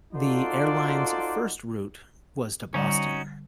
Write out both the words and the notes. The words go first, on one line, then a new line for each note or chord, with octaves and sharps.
The airline's first route was to Boston.
D#4 F4 F#4 A4 C5 D5
D3 G3 C#4 D#4 F#4 D5